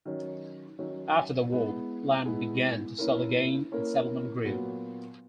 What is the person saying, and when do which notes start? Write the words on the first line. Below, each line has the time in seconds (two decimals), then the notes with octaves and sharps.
After the war land began to sell again and settlement grew.
0.05 D#3 F#3 C#4
0.79 D#3 F#3 C#4
1.52 G#3 B3 E4 G#4
2.25 G#3 B3 E4 G#4
2.98 A#3 C#4 E4 A#4
3.72 A#3 C#4 E4 A#4
4.45 A#2 F#3 B3 F#4